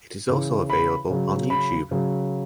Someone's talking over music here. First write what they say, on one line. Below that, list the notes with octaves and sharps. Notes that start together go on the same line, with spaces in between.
It is also available on YouTube.
C#3 E3
B5
C#3 F#3
B5
C#3 F#3